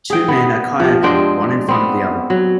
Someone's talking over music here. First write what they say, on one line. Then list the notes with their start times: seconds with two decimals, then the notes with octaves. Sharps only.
Two men are kayaking, one in front of the other.
0.10 G#4 E5 G5
0.28 B3
0.80 F3 G4
1.03 G#3 C4 D4 G5
1.69 B3 C4
2.30 F#3